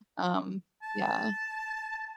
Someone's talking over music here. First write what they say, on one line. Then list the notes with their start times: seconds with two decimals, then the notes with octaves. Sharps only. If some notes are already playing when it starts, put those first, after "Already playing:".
um, yeah.
0.82 A5